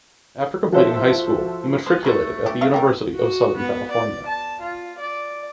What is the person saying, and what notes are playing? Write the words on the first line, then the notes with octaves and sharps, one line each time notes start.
After completing high school he matriculated at the University of Southern California.
F3 F#4 A4 C5 E5
G#3 B3 C5
F#3 A3 G#4 B4 C5
E3 D4 G4
E4 F5
E4 A#4 G5
F#4
B3
D5
A5
F4
D5